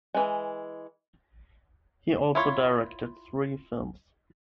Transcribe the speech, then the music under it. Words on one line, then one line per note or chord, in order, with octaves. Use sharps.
He also directed three films.
E3 G#3
E4 F4 C#5